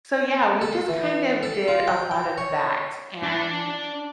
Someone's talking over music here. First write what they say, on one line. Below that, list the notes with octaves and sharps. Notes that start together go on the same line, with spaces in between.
So, yeah, we just, kind of, did a lot of that, and,
A4
E3
A4
F4
G5
G5
C#5
D4 D5